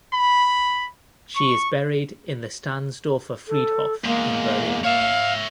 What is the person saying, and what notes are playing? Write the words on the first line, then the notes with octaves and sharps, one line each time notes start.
She is buried in the Stahnsdorfer Friedhof in Berlin.
B5
C#6
A4
E2 G#3 A#3
C#5 E5 F5